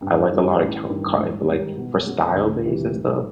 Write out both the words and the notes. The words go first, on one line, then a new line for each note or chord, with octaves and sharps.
I like a lot of cyo cotton, but, like, for style-based, and stuff
G2
D#3 G3
A1
G2 D#3
G#2
D#3 G3
B2
G#3 C#4 F#4
D2
C3 E3 G3
G#2